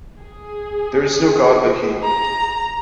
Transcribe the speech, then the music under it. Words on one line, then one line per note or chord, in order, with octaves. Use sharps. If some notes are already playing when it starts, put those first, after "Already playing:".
There is no God but He.
G#4
A#5